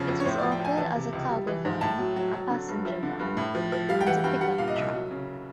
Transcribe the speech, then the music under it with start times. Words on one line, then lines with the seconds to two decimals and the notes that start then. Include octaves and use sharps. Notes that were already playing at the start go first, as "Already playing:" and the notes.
It was offered as a cargo van, a passenger van, and a pickup truck.
Already playing: E2 C#3 F3
0.08 F2
0.20 C#5
0.25 A2 C5
0.38 F3 D5
0.52 G5
0.60 F3 G#5
0.78 E3 A5
0.95 C3
1.13 C#2
1.29 G3
1.47 E3
1.65 G#2
1.81 A2 A5
1.98 F#3
2.16 F#3
2.33 F#3
2.50 D3
2.69 G2
2.85 F3 E5
3.03 D3
3.19 G2
3.37 A2
3.55 F3
3.72 F3
3.89 G3 F5
4.01 G5
4.07 E3 F#5
4.24 G2 G5
4.41 G3 F#5
4.58 A#2 F5
4.68 D#5
4.76 C2 E5
4.94 F#3
5.11 C#3